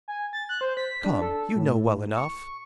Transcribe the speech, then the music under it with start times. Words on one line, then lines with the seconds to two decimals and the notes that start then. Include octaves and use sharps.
"Come, you know well enough."
0.08 G#5
0.33 A6
0.49 F#6
0.61 C5
0.77 B6
1.05 D4
1.21 A4
1.55 A2
2.16 C#6